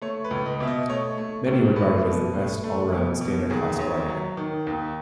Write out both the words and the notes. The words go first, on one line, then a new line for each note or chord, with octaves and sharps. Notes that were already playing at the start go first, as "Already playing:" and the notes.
Many regard it as the best all-round standard class glider.
A3 C#5
B4
C#2
D#5
B2 E5
D#5
A3 C#5
A3
C#2
A3 B4
B2
A3
A3
B2
B2
D#2 G#4
D#2 C#5
F#3
D#3
D#2